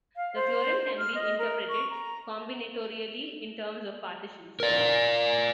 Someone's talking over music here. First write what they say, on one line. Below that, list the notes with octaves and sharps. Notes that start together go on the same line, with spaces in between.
The theorem can be interpreted combinatorially in terms of partitions.
F5
C5
F6
D#5
A#4
C#6
A#5
A#4 D5